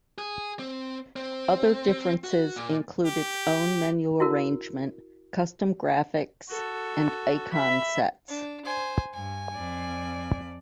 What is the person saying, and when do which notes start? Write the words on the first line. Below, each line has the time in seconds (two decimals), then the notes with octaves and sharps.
Other differences include its own menu arrangement, custom graphics, and icon sets.
0.18 G#4
0.59 C4
1.16 C4
2.24 F#4
2.56 A#2
3.05 G4
4.20 E4 F#4 A#4
6.49 F#4 A4
7.53 E5 B5
8.28 D4
8.65 C5 G#5
9.14 G2 G#5
9.55 F2 D5